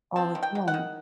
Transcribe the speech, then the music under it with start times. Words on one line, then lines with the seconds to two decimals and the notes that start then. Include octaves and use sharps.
All the time.
0.16 C4 A5
0.35 D#3
0.43 G5
0.55 F#3
0.68 F#5
0.74 D#3